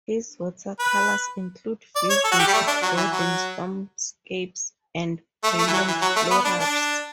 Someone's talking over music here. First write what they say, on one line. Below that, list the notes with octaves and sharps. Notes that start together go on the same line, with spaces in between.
His watercolors include vivid, brooding storm-scapes and brilliant florals.
B4
D5
C#5
A4
F#4
G4
G3
A3
D4
F#3
E3
F#3
A3
A3
E3
F#3
E3
F#3
A3
B3
D4
D4